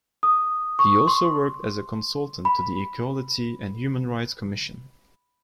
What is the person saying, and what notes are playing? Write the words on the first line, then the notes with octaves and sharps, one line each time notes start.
He also worked as a consultant to the Equality and Human Rights Commission.
D#6
C#6
C6
B5